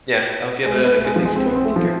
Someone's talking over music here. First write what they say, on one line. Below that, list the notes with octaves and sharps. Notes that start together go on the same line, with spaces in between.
Yeah, I hope you have a good Thanksgiving. Take care.
G#3
A3
B3
A3
G#3
F3
G#3
C4
B3
C4
A3
F3